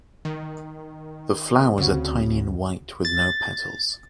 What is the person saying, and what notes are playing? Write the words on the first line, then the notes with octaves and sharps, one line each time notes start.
The flowers are tiny and white with no petals.
D#3
D2 C#3 C4 F#4
A6